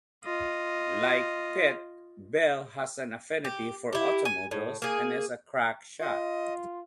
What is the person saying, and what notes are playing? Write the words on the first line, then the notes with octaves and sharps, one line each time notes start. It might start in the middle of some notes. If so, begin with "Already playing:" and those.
Like Pitt, Bell has an affinity for automobiles and is a crack shot.
F4 D#5
G4
E4 G4
G#5
A2
A#3 G#4
F4 D#5